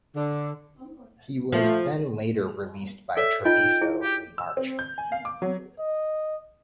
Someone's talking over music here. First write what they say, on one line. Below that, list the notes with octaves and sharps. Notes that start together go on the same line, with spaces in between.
He was then later released by Treviso in March.
D3
F3 A3
A4 C#5 D5 E5
D#4 F4 D#5 G5
E4 G#4
G4
E6
C4
G6
G#5
F5
D6
F#3
D#5